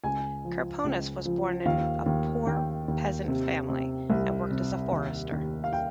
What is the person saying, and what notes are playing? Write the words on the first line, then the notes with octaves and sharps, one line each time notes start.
Kirponos was born in a poor peasant family and worked as a forester.
C#2 G#5
F3
C#2
F3
D#2 F5
D#2
D#2 G5
D#2
C3
C3
C2
C3
D#2
D#2
F5
G5